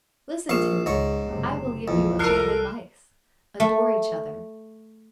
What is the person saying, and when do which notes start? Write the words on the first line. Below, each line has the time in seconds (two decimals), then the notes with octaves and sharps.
Listen to me; I will give you a bit of advice: Adore each other.
0.49 A#1 F5 C#6 C7 E7
0.86 C#2 G#2 C#5
1.27 F#1 C3
1.88 A#1 F2 E3
2.19 C2 A4 A#4 F6 F#6 C7
3.60 A3